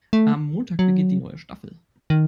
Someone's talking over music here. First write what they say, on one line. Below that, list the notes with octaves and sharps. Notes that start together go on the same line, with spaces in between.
Am Montag beginnt die neue Staffel.
A3
F#3
D#3